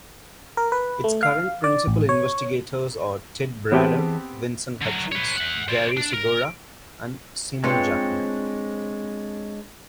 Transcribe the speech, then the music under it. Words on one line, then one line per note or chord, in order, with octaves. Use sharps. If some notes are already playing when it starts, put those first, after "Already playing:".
Its current principal investigators are Ted Brader, Vincent Hutchings, Gary Segura, and Simon Jackman.
A#4
B4
A3
F5
D5
A1
C#5
E3 B3 C4 G4 G#4 A5
D3 F#3
B4 C#5
E5 F#5
C5 D5
D4
A#4
G#3 C4 D4 F4 B4 C#5